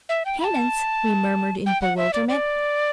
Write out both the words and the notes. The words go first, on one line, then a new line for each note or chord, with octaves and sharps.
"Penance?" we murmured in bewilderment.
E5
G5
B5
A5
G5
F#5
E5
D5
D5